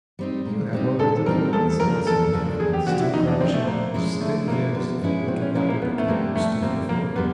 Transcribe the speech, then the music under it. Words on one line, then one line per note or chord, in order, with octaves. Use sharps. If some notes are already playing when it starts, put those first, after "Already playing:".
"You have already been answered!" said the hermit, still crouching on his thin legs, and looking up at the King, who stood before him.
G3 C4 D#4
A#2
G3 C4 D#4
A#2 A4
G3 C4 D#4 A#4
E2 A4
C#3 F3 A#3 D4 A#4
E2 A4
C#3 F3 A#3 D4
E2 G#4
G4
C#3 F3 A#3 D4 F#4
E4
E2 D#4
D4
C#3 F3 A#3 C4 D4
A3
D3 A#3
F3 G#3 C#4 E4
D3 A3
F3 G#3 A#3 C#4 E4
D3 B3
F3 G#3 C#4 E4
D3 C4
C#4
F3 G#3 A#3 C#4 E4
A#3
F2 B3
A3
D3 G3 A#3 C4
F2 A3
D3 G3 A#3 C4
F2 A#3
D3 G3 B3